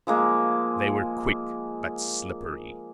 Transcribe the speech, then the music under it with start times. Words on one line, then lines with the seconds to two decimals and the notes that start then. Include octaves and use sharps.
They were quick, but slippery.
0.07 F3 G#3 A#3